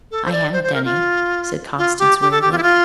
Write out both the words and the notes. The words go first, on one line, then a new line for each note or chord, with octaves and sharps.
"I haven't any," said Constance wearily.
A4
C5
D5
C5
C5
A#4
F4
F4
G4
G4
A4
G4
F4
E4
F4